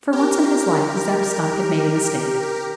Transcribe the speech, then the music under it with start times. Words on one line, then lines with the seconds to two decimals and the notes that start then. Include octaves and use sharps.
For once in his life, Zeb Stump had made a mistake.
0.13 G4 A#4